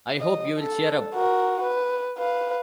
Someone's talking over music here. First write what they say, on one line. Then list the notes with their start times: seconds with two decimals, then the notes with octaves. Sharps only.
I hope you'll cheer up.
0.20 D#5
0.59 A4
1.14 F#4 A#4
1.63 B4
2.18 B4 F5